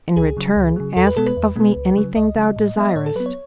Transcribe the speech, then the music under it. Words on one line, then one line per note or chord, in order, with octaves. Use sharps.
In return, ask of me anything thou desirest.
C#2 G#4
C#3 F#3
C#2
C#3 F#3
E2 A4
B4
B2 G#3 B3 A4
B4
E2
B2 G#3 B3
C#2
C#3 F#3
C#2 D#5
C#3 F#3
A2
F#3 B3 E5
D#5
A2 C#5
A4
F#3 B3 B4
C#5